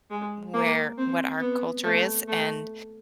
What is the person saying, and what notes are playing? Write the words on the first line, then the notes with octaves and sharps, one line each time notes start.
where what our culture is, and,
G#3
A#3
C4
B3
A3
A3